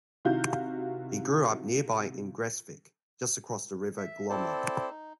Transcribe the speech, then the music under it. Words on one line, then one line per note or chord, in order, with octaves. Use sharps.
He grew up nearby in Gressvik, just across the river Glomma.
C3 D#3 E4 F#4 F5 G6
E5
C4 E4 A4 C5 D5 A5
D#4